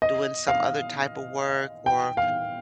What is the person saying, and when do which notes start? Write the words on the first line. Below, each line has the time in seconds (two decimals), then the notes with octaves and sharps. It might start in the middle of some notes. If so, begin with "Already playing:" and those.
doing some other type of work or,
0.02 D#5
0.48 F5
1.86 G5
2.17 F5